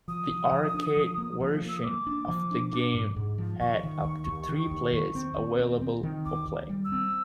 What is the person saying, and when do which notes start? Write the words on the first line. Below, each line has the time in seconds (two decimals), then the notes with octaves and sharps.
The arcade version of the game had up to three players available for play.
0.08 F3 D#6
0.30 F3
0.52 F3
0.74 D4
0.97 F3
1.18 A#3
1.40 F3
1.62 A#3
1.69 E6
1.76 D#6
1.84 A#3 D6
2.07 D4
2.28 F3
2.51 D4
2.73 D4
2.94 G#2
3.16 G#2
3.38 F3
3.60 D#2 C#6
3.83 D#3
4.05 D#2
4.27 D#2
4.49 D#3
4.71 D#2
4.93 D#2
5.15 C4
5.37 D#2
5.59 C4
5.81 C4
6.03 D#3
6.25 D#2 D6
6.48 D#2
6.69 G3
6.85 E6
6.92 C4